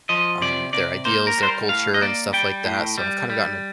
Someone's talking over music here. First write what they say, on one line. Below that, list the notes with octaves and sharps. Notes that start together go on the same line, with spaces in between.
um, their ideals, their culture, and stuff like that so, I've kind of gotten a
F3 D#5
C3 D5
C3 D5
A#3 C5
A#4
G3 C5
A#4
A2 F5
D#5
A#3 D5
G3 G5
A2
G3
G3